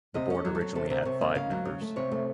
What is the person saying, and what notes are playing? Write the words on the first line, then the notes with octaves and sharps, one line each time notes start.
The board originally had five members.
C3 D#5
C#4 A4
F#3
A4
F#3
C3 A4
C3 A#4
C3 C#5
A#3 D#5
C#3 F5
F#3
C#3
A3
C3 C#5
A3